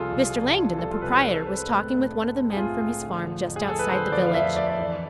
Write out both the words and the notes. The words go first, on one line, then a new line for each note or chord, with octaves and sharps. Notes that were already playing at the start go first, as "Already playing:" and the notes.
Mr. Langdon, the proprietor, was talking with one of the men from his farm just outside the village.
Already playing: C2 C3 F3 F4 G#4 A4
C2
C3
F3
C2 A4
F4
C2 B4
C5
G#3 D5
A4
C4 B4
B4
A2
A2
G#3
C4
G#4
A2 F4
A2
D3
F3
F2
G#4
F2 A4
B4
D3 C5
F3 D5
F5
F2 E5
E5
F2 D5
D5
E3